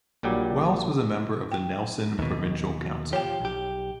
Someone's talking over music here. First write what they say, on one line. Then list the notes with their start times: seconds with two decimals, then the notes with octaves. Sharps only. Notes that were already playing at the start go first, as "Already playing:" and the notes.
Wells was a member of the Nelson Provincial Council.
0.23 A#1 A#2 F#3 G3 G4
1.51 G5
2.19 D#2 B2
3.13 F3 G4 C#5 G5
3.40 B1 G4